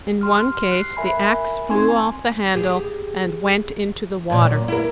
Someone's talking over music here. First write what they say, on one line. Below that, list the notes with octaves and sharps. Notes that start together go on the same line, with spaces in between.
In one case the ax flew off the handle and went into the water.
G4 C6 F6
F#6 C7
A#4 E5 G#5 B5
C4 D#4 G#5 C6 C#6 G#6
G4 G#4
F#2 A#2
E4 A#4